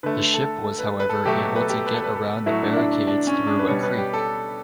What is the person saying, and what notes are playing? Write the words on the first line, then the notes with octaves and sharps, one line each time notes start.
The ship was however able to get around the barricades through a creek.
D3 A3 B4
A4
A4
B4
B4
A4
B2 F#3 A3 G4
B4
A4
G4
A4
B4
A4
B4
A4
A2 F#3 A3 E4
D4
D4
E4
D4
D4
C#4
D4
B4
B2 G3 C#5
B4
G4
A4